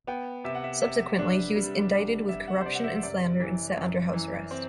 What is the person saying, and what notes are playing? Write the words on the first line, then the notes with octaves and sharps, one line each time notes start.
Subsequently, he was indicted with corruption and slander and set under house arrest.
B3 G5
C3 E5
F#5
E5
C3 E5
D4
G3
D4
G3 E5
F#5
C5
C3 D5
F#5
E5
E5
F#2 D5
E3
F#2
E3
C4